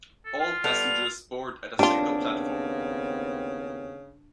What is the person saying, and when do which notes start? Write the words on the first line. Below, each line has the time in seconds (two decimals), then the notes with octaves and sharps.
All passengers board at a single platform.
0.25 A4
0.39 F4
0.64 G3 B3 A4 F7
1.79 D#2 C#3 G3 B3 C4 D4 F4